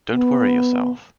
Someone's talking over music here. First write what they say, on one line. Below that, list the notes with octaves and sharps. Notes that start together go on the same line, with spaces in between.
Don’t worry yourself.
B3